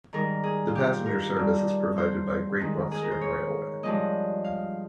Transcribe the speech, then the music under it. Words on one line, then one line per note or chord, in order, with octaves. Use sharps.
The passenger service is provided by Great Western Railway.
G#2 D#3 G3 A#4
G#4
F4
G4
A#4
G2 G3
C5
G#2 D#3 G#3
G#4
A#4
C5
C#5
G2 F3 G#3 D#5
F5